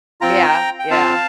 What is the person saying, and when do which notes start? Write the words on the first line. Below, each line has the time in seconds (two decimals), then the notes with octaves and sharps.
Yeah, yeah.
0.21 C4 F4 G5 A#5
0.79 G5
0.90 C4 F4 F5 A5